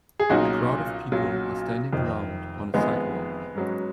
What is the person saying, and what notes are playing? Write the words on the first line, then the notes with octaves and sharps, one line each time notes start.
A crowd of people are standing around on a sidewalk.
G#4
B1 A#2 F#3 C#4 D#4 F#4
B1 A#2 F#3 C#4
F1 F2 D#3
F1 F2 D#3 G#3 B3
G#2 F#3 C#4